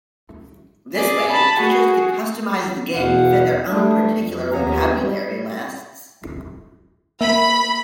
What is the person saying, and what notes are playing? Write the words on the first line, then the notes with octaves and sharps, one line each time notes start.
This way, teachers could customize the game to fit their own particular vocabulary lists.
G#4 D5
A5 B5
F#4 G#4
E2 B2 F5 F#5
G3 A3 D4
F2
D#2 F3 A#3 B3 G#5 A#5
G#3 B3 C4 D#4
G3
A#3 E5 B5